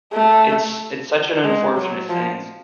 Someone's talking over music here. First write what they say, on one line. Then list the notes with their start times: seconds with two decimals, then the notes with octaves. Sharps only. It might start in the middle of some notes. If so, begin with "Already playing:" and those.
it's it's such an unfortunate thing.
0.13 A3
1.43 G#3
1.76 F#3
2.09 F3